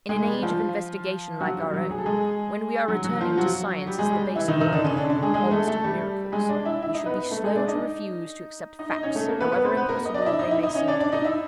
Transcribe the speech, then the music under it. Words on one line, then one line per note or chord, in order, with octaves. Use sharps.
In an age of investigation like our own, when we are returning to science as the base of wonders--almost of miracles--we should be slow to refuse to accept facts, however impossible they may seem to be.
G#3 G#4
G3 G4
F3 F4
F#3 F#4
G3 G4
F#3 F#4
G#4
A4
G#3 G#4
F#3 F#4
F#3 F#4
F3 F4
F#3 F#4
G3 G4
G#3 G#4
G3 G4
E3 E4
D#3 D#4
D#3 D#4
D3 D4
C#3 C#4
D3 D4
D3 D4
G#3 G#4
G#3 G#4
A3 A4
A3 A4
G3 G4
G#3 G#4
D4 D5
E4 E5
E4 E5
D#4 D#5
B3 B4
A3 A4
G#3 G#4
D4 D5
D#4 D#5
D#4 D#5
D#4 D#5
C#4 C#5
A3 A4
A#3 A#4
B3 B4
B3 B4
C4 C5
B3 B4
A#3 A#4
D#5
D4 D5
D#5
E4 E5
D#4 D#5
E4 E5
D#4 D#5
C#4 C#5
D4 D5
D4 D5
D#4 D#5
E4 E5